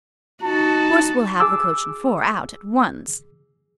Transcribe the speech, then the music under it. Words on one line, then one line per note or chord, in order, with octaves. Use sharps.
Of course we'll have the coach-and-four out, at once.
D#4 F#4 A5
G#4 D6 E6